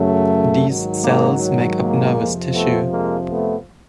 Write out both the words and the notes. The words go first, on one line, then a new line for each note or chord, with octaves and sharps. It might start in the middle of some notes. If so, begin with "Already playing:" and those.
These cells make up nervous tissue.
Already playing: F#2 C#3 F#3 A3
G#2 D#3 F#3
G#3 A#3
G#3 A#3
F2 C3 F3
A3 B3
G#3 A#3
A3 B3